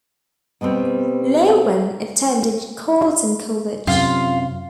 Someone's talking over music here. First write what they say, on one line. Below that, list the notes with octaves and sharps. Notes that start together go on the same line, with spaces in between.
Loewen attended Carleton College.
B2 G3 B3 C4
F#2 C3 F4